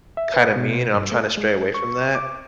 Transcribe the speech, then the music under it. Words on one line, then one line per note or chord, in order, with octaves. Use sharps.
kinda mean, and I'm trying to stray away from that.
E5
B4
B2
G2
A3
G#3
C#6
D6